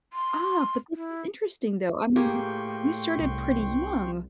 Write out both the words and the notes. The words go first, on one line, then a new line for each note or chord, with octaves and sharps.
Ah, but this is interesting, though. I mean, you started pretty young,
C6
E4
A2 A#3 G4 G#4 G5 C6 C#6
C2